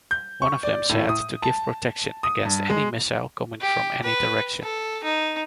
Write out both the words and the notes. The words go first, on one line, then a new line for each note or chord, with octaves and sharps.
One of them said to give protection against any missile coming from any direction.
G6
C#6
D5
A2
D#6
A5
D#6
G2
G#3
G4
B4
A4
D#4